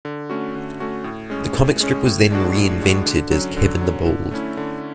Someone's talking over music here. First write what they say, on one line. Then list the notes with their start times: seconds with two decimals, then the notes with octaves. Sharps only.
The comic strip was then reinvented as Kevin the Bold.
0.05 D3
0.30 A3 C#4 F#4
0.55 D3
0.80 A3 C#4 F#4
1.04 A2
1.30 G#3 C#4
1.54 A2
1.81 G#3 C#4
2.05 A2
2.30 G#3 D4 F#4
2.55 A2
2.81 G#3 D4 F#4
3.06 D3
3.31 F#3 C#4
3.57 D3
3.81 F#3 C#4
4.06 D3
4.31 A3 C#4 E4
4.57 D3